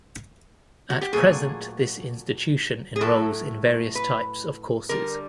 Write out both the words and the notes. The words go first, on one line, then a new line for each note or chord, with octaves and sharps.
At present this institution enrolls in various types of courses.
F#4
G4
A#2 F#3 A3 G#4
G#4
A2 F#3 A3 A4
B4
D3 G3 A#4